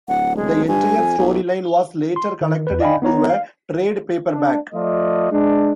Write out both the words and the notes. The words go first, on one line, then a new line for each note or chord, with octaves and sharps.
The entire storyline was later collected into a trade paperback.
D1 F#5
G#3
G2 G#5
F2
B1
C6
D#3
E2 B4
D5 D#5 F5 G5 G#5 B5
B3 D#4 C#5 A#5
F5
D4
F3 A3 F4 D5 D#5
G#3 D4